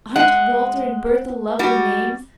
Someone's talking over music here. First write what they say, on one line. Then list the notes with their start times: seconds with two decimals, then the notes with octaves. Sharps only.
Aren't Walter and Bertha lovely names?
0.16 G#3 F#5
1.59 G3 F#4